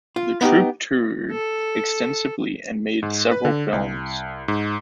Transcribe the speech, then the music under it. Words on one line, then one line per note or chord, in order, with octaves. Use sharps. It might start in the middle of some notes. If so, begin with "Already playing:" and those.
The troupe toured extensively and made several films.
F4
B3 D#4 F4 G4
A4
G#2
B4
D3
C2
G#2